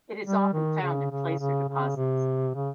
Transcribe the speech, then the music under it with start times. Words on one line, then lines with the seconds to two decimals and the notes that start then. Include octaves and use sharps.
It is often found in placer deposits.
0.25 G3
0.53 D#3
0.81 C#3
1.10 C#3
1.39 C#3
1.68 C#3
1.96 C3
2.54 C#3